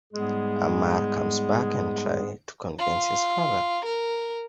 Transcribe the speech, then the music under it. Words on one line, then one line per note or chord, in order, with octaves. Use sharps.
Amar comes back and try to convince his father.
G#2 G3 G#3 B3 G#4
F4
A#4